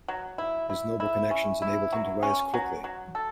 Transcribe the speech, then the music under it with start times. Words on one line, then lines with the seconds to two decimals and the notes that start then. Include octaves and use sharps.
His noble connections enabled him to rise quickly.
0.08 F#3
0.38 E4
0.70 E4
1.00 E4
1.31 C#4
1.62 E4
1.93 F#3
2.23 C#4
2.54 F#3
2.84 F#3
3.15 A4